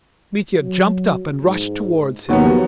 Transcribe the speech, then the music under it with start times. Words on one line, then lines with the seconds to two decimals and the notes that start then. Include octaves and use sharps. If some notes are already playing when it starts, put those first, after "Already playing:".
Mitya jumped up and rushed towards him.
0.58 F#3
1.41 G#2
2.29 D#2 F3 F#3 B3 F#4 G4